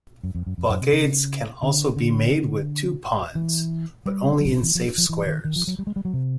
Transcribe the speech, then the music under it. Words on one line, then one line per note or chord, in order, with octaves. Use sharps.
Blockades can also be made with two pawns, but only in safe squares.
F#2
F2
F#2
F2
F#2
C3
C#3
D3
D3
E3
G3
F#3
E3
F3
F3
E3
D#3
D#3
F3
F#3
G3
G#3
G3
F#3
C3